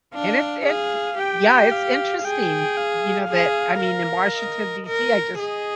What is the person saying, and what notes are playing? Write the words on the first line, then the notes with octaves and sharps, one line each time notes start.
And it's int e Yeah, it's interesting, you know, that I mean, in Washington DC, I just
D4 F5
G#4 F5
G4 G5
F5
G#4 G5
F5
G#4
A#4
D#5
A#4
G#4 D#5